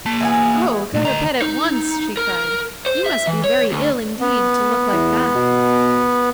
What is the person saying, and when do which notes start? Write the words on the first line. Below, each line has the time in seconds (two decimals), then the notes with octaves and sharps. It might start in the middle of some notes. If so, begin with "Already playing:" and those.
'Oh! go to bed at once,' she cried; 'you must be very ill indeed to look like that!'
0.06 A#3 A5
0.20 E3 B3 G#4
0.93 A#2 A3
1.05 D2 D#3 A#5
1.42 D#4
2.17 A#4
2.86 C5
3.06 E5
3.27 E3
3.44 C#5
3.72 D2
4.21 B3
4.93 E2
5.35 B2